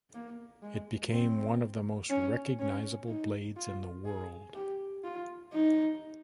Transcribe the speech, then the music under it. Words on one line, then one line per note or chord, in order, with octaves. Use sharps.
It became one of the most recognizable blades in the world.
A#3
G#3
C4
C#4
C#4
D#4
F4
G#4
G4
F4
D#4